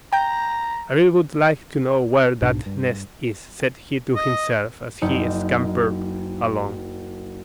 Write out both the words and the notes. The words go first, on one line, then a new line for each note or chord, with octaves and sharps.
"I really would like to know where that nest is," said he to himself as he scampered along.
G5 A#5 G6
B1 G#2 B2 D4
G2
D#5
F#1 D#4 C#7